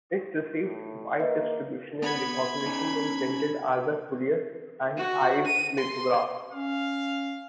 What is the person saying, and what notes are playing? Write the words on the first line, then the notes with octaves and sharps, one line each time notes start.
It received wide distribution and recognition when printed as a Currier and Ives lithograph.
A2
A#3 B4 D#5 E5
B3 F#5 B5 G#6
C#4 D#4
F#4
D#7
C6
C#4 F5